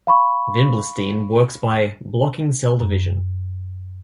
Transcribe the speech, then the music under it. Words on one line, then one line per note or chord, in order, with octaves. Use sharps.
Vinblastine works by blocking cell division.
F5 B5 C#6
F#2